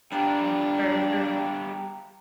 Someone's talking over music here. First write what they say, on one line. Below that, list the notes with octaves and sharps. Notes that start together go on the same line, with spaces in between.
Yeah, very true.
G3 B3 D4 F4 G4 G5 A#5